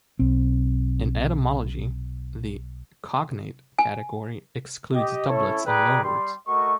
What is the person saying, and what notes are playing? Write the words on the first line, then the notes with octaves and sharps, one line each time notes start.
In etymology, the "cognate" category excludes doublets and loanwords.
B1 C4
G#5
G4 D#5
C#4 E4 A4 C#5
G#4 B4 D5 G5 A#5
G3 C6
A3 F#4 A#4 D#5 C#6